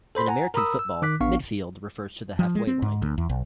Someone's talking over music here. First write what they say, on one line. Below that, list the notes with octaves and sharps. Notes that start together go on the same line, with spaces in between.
In American football, "midfield" refers to the halfway line.
A4 C5 B5 C6
F#5 G#5 A#5
A#4 A#5 B5 D#6 E6
E6
D#3 D6 F#6 B6
A1 B3 D4 F5 C#6
F3
G#3
C4
G#2
D2
E2
B1